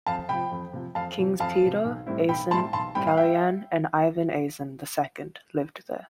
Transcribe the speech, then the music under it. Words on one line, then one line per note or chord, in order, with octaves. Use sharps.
Kings Petar, Asen, Kaloyan and Ivan Asen the second lived there.
F2 F5 A5
C3 F3 G5 B5
F2
C3 F3
F2 F5 A5
C3 F3
F2 F5 A5
C3 F3
B1
A2 G3 C4 E4
B1 G5 B5
A2 G3 C4 E4 A5 C6
B1 A5 C6
A2 G3 C4 E4 G5 B5
F5
E5 G5